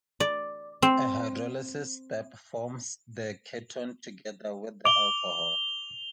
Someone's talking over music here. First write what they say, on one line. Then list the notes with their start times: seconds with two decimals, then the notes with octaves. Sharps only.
A hydrolysis step forms the ketone together with the alcohol.
0.20 D5
0.82 C4
4.85 D6 F7 G7